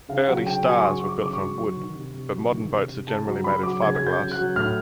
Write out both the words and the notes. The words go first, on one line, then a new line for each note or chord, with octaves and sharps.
Early Stars were built from wood, but modern boats are generally made of fiberglass.
C#3 F5
F#3 F#5
C#3 G5
F#3 G#5
C6
C#3 C#6
F#3 C#6
D6
C#3 D6
C#6
F#3
F#3 C#6
D#3
C3
C3
F#3
D#3
C3
C3
C#3 A5
F#3 A#5
C#3 B5
F#3 D6
C#3 G#6
F#3 G#6
G6
C#3
F#6
F#3
A2 F6